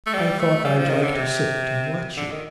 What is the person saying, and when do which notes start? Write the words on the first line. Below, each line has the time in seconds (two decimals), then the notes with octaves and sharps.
I thought I'd like to sit and watch you.
0.06 A3
0.13 G3
0.39 A3
0.64 G3
0.77 F3
0.90 D#3
1.02 D3
1.15 C3
2.17 D3
2.31 D#3